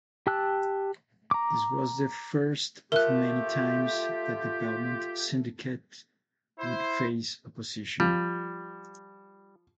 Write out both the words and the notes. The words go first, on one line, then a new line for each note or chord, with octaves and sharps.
This was the first of many times that the Belmont Syndicate would face opposition.
G4 G5 A5 E6 F#6
A#5 D6
A3 F4 G4 A#4 F#6
E4 C5
F3 G3